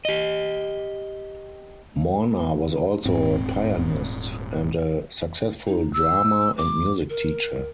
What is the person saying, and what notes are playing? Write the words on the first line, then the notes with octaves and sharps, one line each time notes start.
Morna was also a pianist and a successful drama and music teacher.
G4 D#5
D#1 G#2 C4
D#4
E6
D6
A#4